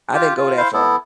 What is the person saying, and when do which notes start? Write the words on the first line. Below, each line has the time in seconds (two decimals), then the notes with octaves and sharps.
I didn't go that far.
0.14 F4 G4
0.37 F4
0.57 E4 C5 F5
0.73 B3 E4 A4